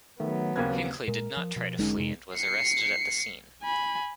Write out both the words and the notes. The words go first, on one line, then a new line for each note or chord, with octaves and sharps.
Hinckley did not try to flee and was arrested at the scene.
D#3 F#3 A3 B3
D#2 C#3 A#3 C4 B4 G#6
A#2 G#3 A#4
F3
B2 F3
F1 D3 G#3 C#4 D#4
F2 C3
C7 C#7
G#5 B5